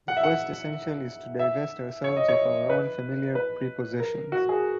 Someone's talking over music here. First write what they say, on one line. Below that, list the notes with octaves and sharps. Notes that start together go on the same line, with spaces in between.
The first essential is to divest ourselves of our own familiar prepossessions.
F#5
E5
F#5
E5
C#5
D#5
C#5
B4
B4
A#4
F#4
G#4